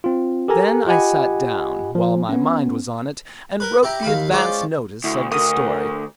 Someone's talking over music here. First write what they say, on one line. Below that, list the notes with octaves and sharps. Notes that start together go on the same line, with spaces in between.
Then I sat down, while my mind was on it, and wrote the advance notice of the story.
C4 F4
G4 A4 A#4 G#5 A#5
F4 G4 D#5 F#5 G#5 B5
F3
B3 C#4
A#4 B4
E4 G4 G5 A#5
D#2 F5 B5
G#3 C#4 F4 C5 D5
D2 E4
D2 A#4 D#6